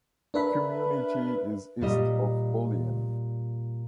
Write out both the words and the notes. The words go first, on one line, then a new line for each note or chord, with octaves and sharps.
The community is east of Olean.
D4 A#4 B4 E5 B5
A#2 G3 D#5